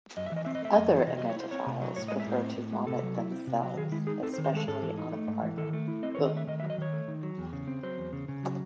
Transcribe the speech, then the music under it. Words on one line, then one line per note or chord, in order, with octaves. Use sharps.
Other emetophiles prefer to vomit themselves, especially on a partner.
F#2 D#5
E5
E3 D#5
C4 E5
D#5
A3 E5
F#2 D#5
E3
C3 D#5
D#5
F#3
C#5
E4 C5
C4 C#5
C3
F#3
A2 C#5
D#5
G#3
E5
A2 C5
C4
A2
G#3
C3 A4
F#3
E4
C4
C3
F#3
D#3 G#4
G#3 E4
D#4 G#4
C4 A4
C5
D#3
C5
G#3 A4
G#2 A4
E3
D#4
A3
G#2
E3
D#3 A4
A3
E4
C4 D#5
C#5
D#3
D#5
A3 E5
D#3 D#5
E5
F#3
D#5
D#3 C#5
A3
D#3
F#3
E2
C#3
C4
F#3 C5
E2
C#3
C#3
F#3